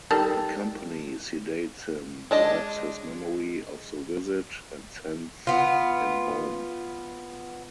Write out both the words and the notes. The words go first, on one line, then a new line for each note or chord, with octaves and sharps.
The company sedates him, wipes his memory of the visit, and sends him home.
D#3 G3 A4
G#3 D4 D#5
B3 F4